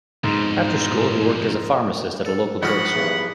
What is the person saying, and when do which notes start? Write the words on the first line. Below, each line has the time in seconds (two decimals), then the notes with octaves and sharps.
After school, he worked as a pharmacist at a local drug store.
0.24 F2 G#2 B2
2.26 A4
2.63 A#1 G#2 D#4 F#4 C#5 F#5 B5 F6
2.95 E2 G2